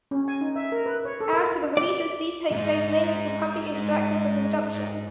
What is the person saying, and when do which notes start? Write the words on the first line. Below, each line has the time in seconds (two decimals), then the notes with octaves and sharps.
As to the releases, these take place mainly through pumping extraction for consumption.
0.11 C#4
0.28 G#5
0.41 D#4
0.56 E5
0.72 A#4
0.86 B4
1.05 C#5
1.21 A4
1.33 A#4
1.77 D5
2.52 G#2 D#4